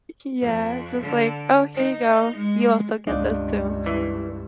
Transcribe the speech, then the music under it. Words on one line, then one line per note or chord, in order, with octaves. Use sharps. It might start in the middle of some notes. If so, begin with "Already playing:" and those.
yeah, just like, "Oh, here you go, you also get this too."
F2
D3
D#4
G#3
C#2 G2 D4 D#4 F5
E3